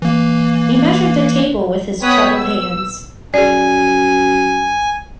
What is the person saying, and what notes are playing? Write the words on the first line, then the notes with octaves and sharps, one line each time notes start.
He measured the table with his troubled hands.
E3 A#3
B3 C#5 G5 D#6 F#6 B6
E6
F#2 G#4 D5 G#5